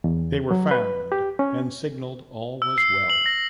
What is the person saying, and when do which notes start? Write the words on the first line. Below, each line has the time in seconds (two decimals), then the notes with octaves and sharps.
They were found and signaled all was well.
0.04 E2
0.51 F#3
0.71 B4
1.12 G4
1.39 C#4
2.62 E6
2.78 C7
3.10 F#7
3.26 A#6